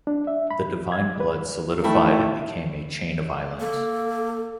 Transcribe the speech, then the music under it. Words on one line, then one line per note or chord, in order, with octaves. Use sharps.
The divine blood solidified and became a chain of islands.
D4
E5
B5
G#6
B4
D#3 A3 E4 G5
A#3 A4